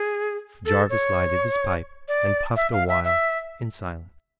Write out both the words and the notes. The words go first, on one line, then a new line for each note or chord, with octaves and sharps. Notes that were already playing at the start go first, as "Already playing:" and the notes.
Jarvis lighted his pipe and puffed a while in silence.
Already playing: G#4
A4
C#5
D5
E5
F5
E5
E5